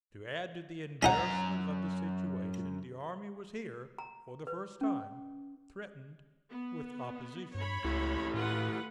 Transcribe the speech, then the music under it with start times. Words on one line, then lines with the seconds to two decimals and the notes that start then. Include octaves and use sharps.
To add to the embarrassment of the situation, the army was here, for the first time, threatened with opposition.
1.03 F#2 C#4 D#4 F#5 A#5
3.98 A#5
4.47 B4
4.81 C#4
6.50 B3
7.54 G2 C#5 B5
7.84 C#2 A3 E4 G4
8.34 A2 F4 B4 F#5